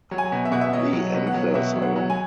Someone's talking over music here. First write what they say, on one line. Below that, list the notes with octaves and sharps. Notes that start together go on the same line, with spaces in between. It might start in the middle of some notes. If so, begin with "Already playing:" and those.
The anthers are long.
F#3
G#5
B2
E5
B2 F#5
E5
F#3 D#5
F#3
B2
F#5
F#3
B2 E5
F#3
F#5
F#3
G#5